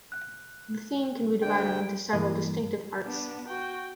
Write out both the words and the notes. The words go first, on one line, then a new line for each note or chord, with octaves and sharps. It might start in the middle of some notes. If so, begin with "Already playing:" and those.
The theme can be divided into several distinctive parts.
F#6
D2 D4 G#4 D5 G5
G2 E3 A#3 D#5
B3 D4
F#4 G5